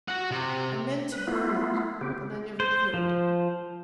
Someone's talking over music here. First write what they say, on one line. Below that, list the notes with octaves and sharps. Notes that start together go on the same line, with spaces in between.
I meant--to burn it--but I never could.
F#4 F#5
C3
B4
A3 B3 E4 F4
C#3 B3 C4 G4
C5
F3